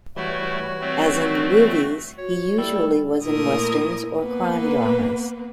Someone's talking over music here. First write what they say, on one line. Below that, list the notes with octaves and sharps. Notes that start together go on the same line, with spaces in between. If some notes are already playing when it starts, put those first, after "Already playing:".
As in the movies, he usually was in westerns or crime dramas.
E3 G3 A3 E4 F#4 C#5
A3 C4
F#4 C#5
G3 A3 E4 A4
A#2 A3 E4 A#4 D#6
A#3 B3 B4